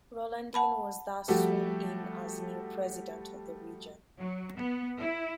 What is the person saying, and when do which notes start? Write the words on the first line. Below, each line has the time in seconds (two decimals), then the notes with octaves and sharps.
Rollandin was thus sworn in as new President of the Region.
0.54 F#5 A5 B5
1.28 F3 G3 A3 F#4 G4 A4
4.21 F#3
4.58 B3
4.99 E4